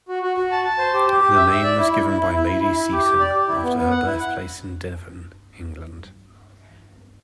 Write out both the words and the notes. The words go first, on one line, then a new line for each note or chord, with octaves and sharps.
The name was given by Lady Seaton after her birthplace in Devon, England.
F#4
F#4
F#4
A5
A5
C5
G4
G4
G4
E5
E5
D5
E4
E4
E4
E4
E4
E4
E4
E4
G4
G4
D5
G4
E4
B3
B3
F#5
E4
F#5